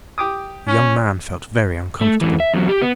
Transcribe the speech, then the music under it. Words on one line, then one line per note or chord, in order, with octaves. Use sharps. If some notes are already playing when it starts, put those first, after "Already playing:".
The young man felt very uncomfortable.
G4 D6 D#6
C#4
A3
G#2 E3
E5
E2 F#3
G4
B3